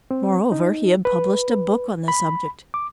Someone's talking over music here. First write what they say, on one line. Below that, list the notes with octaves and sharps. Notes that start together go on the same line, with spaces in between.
Moreover, he had published a book on the subject.
C4
D#4
B4
B5
D6